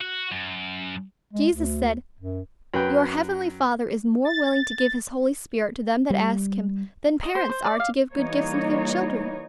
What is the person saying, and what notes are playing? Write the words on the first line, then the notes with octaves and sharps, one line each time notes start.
Jesus said, 'Your Heavenly Father is more willing to give His Holy Spirit to them that ask Him, than parents are to give good gifts unto their children.
F#4
F#2
G#3
D2
F#2
F#2 B4 G5
A6
G3
D#5
C5
C5
D5
F5
E3 G3 A#3 D#4 C#5